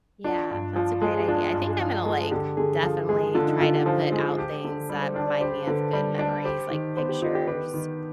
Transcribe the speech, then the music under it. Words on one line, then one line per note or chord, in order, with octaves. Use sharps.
Yeah. That's a great idea. I think I'm gonna, like, definitely, try to put out things that remind me of good memories, like pictures
D4 F4
G2
F3 F4
G#3
G#4
G4
D4 F4
G2
F3
G#3
D3 G4
D3 G#4
F3
G#3 G#4
D3 F4
D#4
D3 F4
G4
F3 C5
G#3
G4
D3
G3
C5
D4 D5
D5
G4 C5
D3 B4
G3
D4
G4 C5
D#3
B3 C5
G4
D#4 F4
G4
G4 B4
D#3